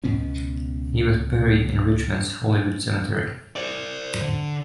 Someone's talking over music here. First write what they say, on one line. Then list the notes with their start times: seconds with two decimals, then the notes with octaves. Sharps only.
He was buried in Richmond's Hollywood Cemetery.
0.04 C#2 B2 B3 C#4
3.56 C5 D5
4.21 D3